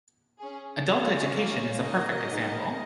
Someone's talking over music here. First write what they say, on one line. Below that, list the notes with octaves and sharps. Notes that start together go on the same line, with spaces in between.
'Adult Education' is a perfect example.
C#4 G#4
C#4 G#4 C#5 F5
A#3 F4 G#4
A#3 D#4 G#4 A#4 D#5
A#3 D#4 G#4